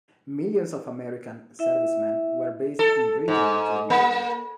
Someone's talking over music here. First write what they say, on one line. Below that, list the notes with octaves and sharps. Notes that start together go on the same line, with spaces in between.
Millions of American servicemen were based in Britain during the war.
E4 E5
A4
G#2
A#3